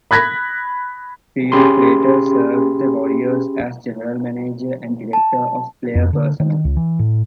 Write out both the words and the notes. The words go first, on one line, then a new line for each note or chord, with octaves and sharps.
Feerick later served the Warriors as general manager and director of player personnel.
B5 F#6 G#6 A#6 B6
C#4 G4 G#4 B5 C6
A5
F2
D3
D#3
C#2
E3
A2